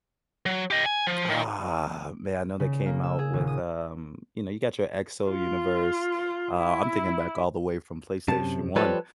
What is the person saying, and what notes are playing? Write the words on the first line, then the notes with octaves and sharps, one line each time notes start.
Ah man, I know they came out with, um you know, you got your Exo Universe, uh, I'm thinking back all the way from PlayStation One.
F#3
G4 D#5
G#5
F3
D#3
C#3
A#3
E6
G#4
D#1
D#6
F4
E4
F#2 C3 A5
F3 G3 A4 B4 C#5